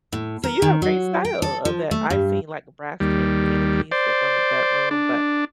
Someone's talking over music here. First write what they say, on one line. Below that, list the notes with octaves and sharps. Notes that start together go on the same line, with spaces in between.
So you have great style of that. I've seen, like, uh, brass trimmed vanities that go in the bedroom, but
A2
A#4
D#3
F#3
G5
A4
F3
A3
G2
D#2 G3
C5 D5
D4